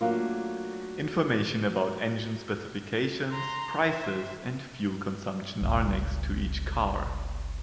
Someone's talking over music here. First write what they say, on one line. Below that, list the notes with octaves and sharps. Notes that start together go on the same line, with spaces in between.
Information about engine specifications, prices and fuel consumption are next to each car.
F#3 A3 A#3 D4 F4
A#5 C6
C5 E5
G1 C#2